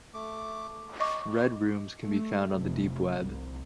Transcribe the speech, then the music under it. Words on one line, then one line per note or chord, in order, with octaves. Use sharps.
Red Rooms can be found on the deep web.
A3 D6
D#5 C#6 D6
A3
F1
C2